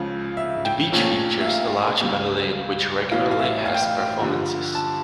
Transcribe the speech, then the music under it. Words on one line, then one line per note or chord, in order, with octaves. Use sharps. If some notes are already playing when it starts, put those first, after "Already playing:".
The beach features a large pavilion which regularly has performances.
Already playing: C#2 C#3 F3
E5
G5
A#1 A#2 F3 A3 C#4
E5
F5
C#2 C#3 G3
A1 A2 E3 F5
F5
E5
F5
G5
F5
G2 D3 F3
A5